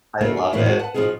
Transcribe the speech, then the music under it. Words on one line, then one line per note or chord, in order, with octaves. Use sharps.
I love it.
C#3 A3 A#3 D4 D#4 F4
D4
A2 D3 E3 F3 A#3 E4
G#3 F#4 D5
B4 F#5 A5
B2 F3 A#3 C#4 D#4 G#4